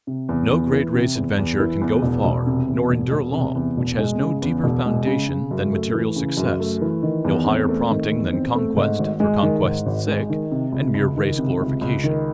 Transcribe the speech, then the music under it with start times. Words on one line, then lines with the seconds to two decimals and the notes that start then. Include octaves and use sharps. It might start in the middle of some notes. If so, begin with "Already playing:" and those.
No great race adventure can go far nor endure long which has no deeper foundation than material success, no higher prompting than conquest for conquest's sake and mere race glorification.
0.07 C3
0.29 E2
0.50 E2
0.72 E3
0.94 C3
1.15 E2
1.38 E2
1.59 E3
1.81 E2
2.02 E1
2.24 E1
2.46 C3
2.68 E2
2.90 E1
3.11 E1
3.33 C3
3.55 E2
3.77 E1
3.99 G#3
4.20 C#3
4.42 E2
4.64 E1
4.86 G#3
5.07 C#3
5.29 C#3
5.51 F#2
5.72 A3
5.94 E3
6.16 C#3
6.37 F#2
6.60 A3
6.82 E3
7.03 D#3
7.25 E2
7.46 C4
7.68 A3
7.90 D#3
8.11 E2
8.33 C4
8.56 A3
8.77 G#2
8.99 G#1
9.20 G#3
9.42 D#3
9.63 G#2
9.86 G#1
10.08 G#3
10.30 D#3
10.51 C3
10.72 C#2
10.94 C#2
11.16 D#3
11.38 C3
11.60 C#2
11.81 C#2
12.04 D#3